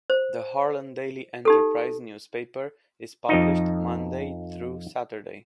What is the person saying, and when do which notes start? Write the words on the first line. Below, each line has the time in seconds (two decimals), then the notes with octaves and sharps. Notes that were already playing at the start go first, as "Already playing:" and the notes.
"The Harlan Daily Enterprise" newspaper is published Monday through Saturday.
0.10 C5
1.45 D#4 G4 A4
3.29 F2 F3 D#4